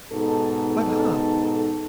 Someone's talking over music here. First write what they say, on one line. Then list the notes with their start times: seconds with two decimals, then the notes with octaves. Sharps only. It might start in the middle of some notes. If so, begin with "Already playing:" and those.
But, ha!
0.11 G#2 B2 D#4 A4